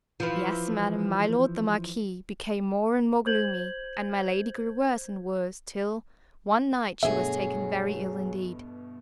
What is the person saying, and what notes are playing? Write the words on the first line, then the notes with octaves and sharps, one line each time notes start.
'Yes, madam, my lord, the Marquis, became more and more gloomy; and my lady grew worse and worse, till, one night, she was taken very ill, indeed.
E3 F3
C5 G6 G#6 F#7
G2 B2 F#3 A3 G#4 E5